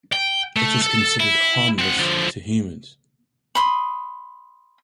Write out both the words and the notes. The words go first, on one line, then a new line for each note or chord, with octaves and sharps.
It is considered harmless to humans.
G5
A3
A4
E4
C4 F#5
D3 F3
B5 C6 D#6